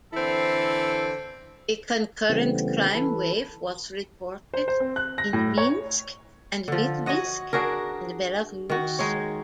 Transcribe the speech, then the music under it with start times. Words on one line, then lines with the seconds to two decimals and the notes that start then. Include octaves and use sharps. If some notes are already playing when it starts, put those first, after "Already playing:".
A concurrent crime wave was reported in Minsk and Vitebsk, Belarus.
0.14 D3 E3 C4 E4 A4
2.30 C#3 E3 G3 A3 B3 C4
2.95 E3 A4 B4
4.54 C5
4.68 C5
4.80 C4
4.96 F#6
5.18 A#6
5.33 A2
5.58 C#5
6.68 D3 F3
7.06 F#4 C#5 D#5 F#5
7.53 D4 F#4 G#4 A#4
8.70 D#3 F#4
8.99 G#3 D#4 C#5